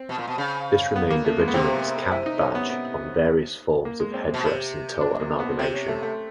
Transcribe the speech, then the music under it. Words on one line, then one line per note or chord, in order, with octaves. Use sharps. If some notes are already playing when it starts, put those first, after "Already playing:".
This remained the regiment's cap badge on various forms of head-dress until amalgamation.
Already playing: C4
B2
A#2
B2
C#3
B3
A#3
A3
G#3
B3
C3 C4
E4
D#4
C#4
B3
B3
A#3
G#3
C4
B2
C3
D4
A#3
B3
C3 C4
C#4
A3
A3